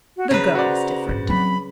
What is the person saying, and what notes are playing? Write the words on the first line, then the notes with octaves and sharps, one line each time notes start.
The girl is different.
F#4
C#3 B4 A#5
F#4 C5 D5
A1 G2
F#3 C4 B5